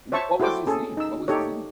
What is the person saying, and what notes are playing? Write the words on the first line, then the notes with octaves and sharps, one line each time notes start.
W what was his name? What was his name?
C5 C#5 E5 A5 C#6
E4 F#4 A4 C5 G5 D6
C#4 G#4 A4
D#4 E6
D#4 G4 A4 C#5